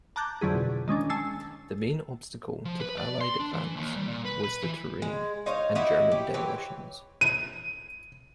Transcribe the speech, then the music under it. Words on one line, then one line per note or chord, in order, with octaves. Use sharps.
The main obstacle to the Allied advance was the terrain and German demolitions.
A5 A#5 D6 F#6 G6 A6
F2 D3 F#3 E4 G#4
B2
D#3 G#3 C#4 D4
G#5 A5 E6 A6 C7 C#7
F3
B4
D5
C6
D4
E3
D#2
G3
A#2
B4
B4
E3
G#3
D#4 C5 C#5 F5
D#4 E4 F#4 G4
G4
E3 C4 G4 C#5
D#7